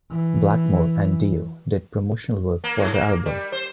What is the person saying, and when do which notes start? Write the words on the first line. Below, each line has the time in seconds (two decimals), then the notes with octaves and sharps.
Blackmore and Dio did promotional work for the album.
0.11 E3
2.64 A#3
2.78 G#2
2.93 A#3
3.26 G3
3.52 C5